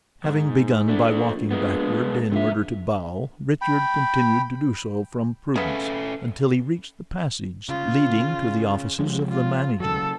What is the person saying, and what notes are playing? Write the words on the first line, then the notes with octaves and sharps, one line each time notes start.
Having begun by walking backward in order to bow, Richard continued to do so from prudence, until he reached the passage leading to the offices of the management.
D2 G#2
E1 A3 D4
A#1
G#3 B3
A#1 C3 E5
G5 B5
C#3 B3 C#4 A4 E5
C#3 F4
F3 G#3
F4
C#3 F#3 A4